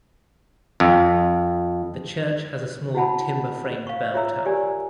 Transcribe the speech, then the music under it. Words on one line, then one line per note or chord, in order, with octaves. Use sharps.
The church has a small, timber-framed bell tower.
F2
E4 F#4 F#5 A5 B5
F5 C#6
F4 C#5 E5 A#5 E6
G4 A#4 D5 G#5